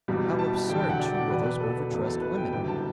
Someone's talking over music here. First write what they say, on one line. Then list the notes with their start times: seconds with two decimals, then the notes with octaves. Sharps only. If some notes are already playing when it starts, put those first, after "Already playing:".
How absurd, too, were those overdressed women!
0.08 F#1 E2 B2 G3
0.39 A5
0.54 A5
0.69 E1 E2 D3 F#3 G5
0.79 G5
0.89 F#5
0.99 D5
1.15 D5
1.30 E1 E2 B2 B4
1.45 B4
1.61 A4
1.76 B4
1.92 F#1 E2 B2
2.07 A4
2.22 B4
2.37 G5
2.52 F#1 F#2 D3 G3 G5
2.68 A5